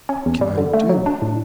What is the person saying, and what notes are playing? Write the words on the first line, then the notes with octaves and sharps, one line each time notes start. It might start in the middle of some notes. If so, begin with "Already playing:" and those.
What can I do?
C#4
E2
G3
D3
A3
F#3
D4
A2